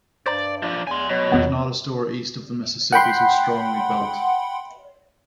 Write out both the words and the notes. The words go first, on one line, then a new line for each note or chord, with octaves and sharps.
There's not a store east of the Mississippi so strongly built.
G2 C5 D5 A#5
F3 D4
E2 G#5 C6
B2 F#3
E2 B3
F#5 G5 B5 C6